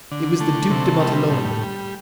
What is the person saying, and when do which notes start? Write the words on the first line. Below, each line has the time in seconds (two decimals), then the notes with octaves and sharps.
It was the Duke de Matalona.
0.11 D3
0.40 A3
0.71 C3
1.00 G3
1.30 A2
1.61 G3